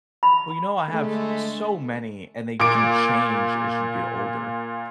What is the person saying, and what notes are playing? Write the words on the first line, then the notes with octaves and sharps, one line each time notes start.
Well, you know, I have s so many, and they do change as you get older.
B5
D3 G#3 A3
A#2 D6 D7